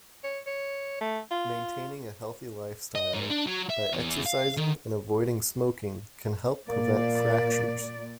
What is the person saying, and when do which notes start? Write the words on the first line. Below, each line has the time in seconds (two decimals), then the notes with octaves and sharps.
Maintaining a healthy lifestyle by exercising and avoiding smoking can help prevent fractures.
0.24 C#5
0.47 C#5
1.01 A3
1.31 F4
2.95 D#5
3.14 G#2
3.30 D4
3.47 F#3
3.70 E5
3.93 E2
4.26 F5
4.57 D#3
6.69 A#2 A#3 D5